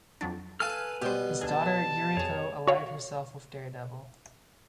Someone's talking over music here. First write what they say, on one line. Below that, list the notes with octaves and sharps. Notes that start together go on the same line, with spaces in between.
His daughter Yuriko allied herself with Daredevil.
F2 F#3 D4
A4 B4 F5 G#5 A5 F6
B2 G3 G4 C5
D2 G#4 A5
F2 G#4 C#5
F#4 C#5 F5